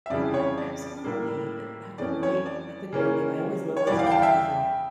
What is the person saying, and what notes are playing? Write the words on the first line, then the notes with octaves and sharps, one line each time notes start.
But, absolutely, i that's a great that's a great thing, I always love those memories, and
E5
F2 C#3 E3 G3 D5
C#5
D5
D5
A2 G3 A#3
F2 E3 A3 C#4 D5
C#5
D5
C#3 E3 A#3 C#4
C#5
E2 E3 G3 D5
D5 F5
G5
F5 A5
E5 G5